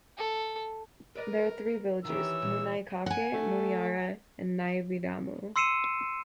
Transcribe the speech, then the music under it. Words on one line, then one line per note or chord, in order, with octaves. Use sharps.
There are three villages, Muanaicake, Muanaira and Naividamu.
A4
A#4 B4 D5 D#5
D#3 E3 G4 C#5 E6
A#2
F#5 G#5
A3
C6 E6 C7 C#7 D#7 E7